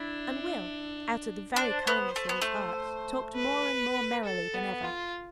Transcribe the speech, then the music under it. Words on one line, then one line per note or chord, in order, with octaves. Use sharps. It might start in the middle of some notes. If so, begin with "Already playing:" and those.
And Will, out of the very kindness of his heart, talked more and more merrily than ever.
Already playing: D4 E4
D4 C5
B3
A3
B3
A3
B4
A4
B3
F4